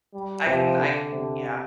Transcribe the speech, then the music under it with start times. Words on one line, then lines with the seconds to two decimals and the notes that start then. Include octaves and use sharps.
I can I can Yeah.
0.14 G3
0.47 C3 F3
0.79 D3
1.12 C3